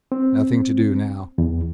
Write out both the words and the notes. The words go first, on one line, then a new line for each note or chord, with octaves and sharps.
Nothing to do, now.
C4
E2